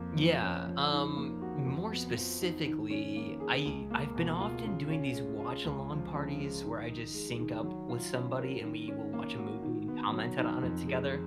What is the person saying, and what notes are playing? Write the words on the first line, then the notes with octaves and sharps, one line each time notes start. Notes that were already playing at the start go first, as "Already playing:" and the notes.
Yeah, um, more specifically, I I've been often doing these watch-along parties where I just sync up with somebody, and we will watch a movie and comment it on it together.
Already playing: F2 A#3
F3
C#4
F3
D#4
A#3
F#4
F2
B3
F3
D#4
D#3
C#4
A#3
G#4
C#2
A#3
B2
F4
C#3
C#4
G#3
F4
C#2
F3
C#3
G#3
D#3
D#4
G#3
D#3
F#3
F4
C#4
A#4
D#3
C#4
A#3
F#4
D#3
B3
F#3
D#4
F2
G#3